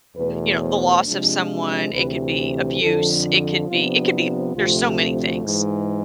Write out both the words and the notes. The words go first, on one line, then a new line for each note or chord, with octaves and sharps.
you know, the loss of someone, it could be abuse. It could be it could be there's so many things.
E2 B2 A3 B4
C5
C3 F3 G#3 D4
D2 C3 E3 B4
F2 D3 F3 A4
C3 F3 B3 D4 F4
E4
D2 C3 F3 A3 C4 F4
G#2 E3 G#3